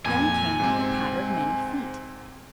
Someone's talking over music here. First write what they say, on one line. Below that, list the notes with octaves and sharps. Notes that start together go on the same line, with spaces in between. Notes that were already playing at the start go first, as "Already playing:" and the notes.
Then came the patter of many feet.
F2 A#2 G#5
G#2 C3 C4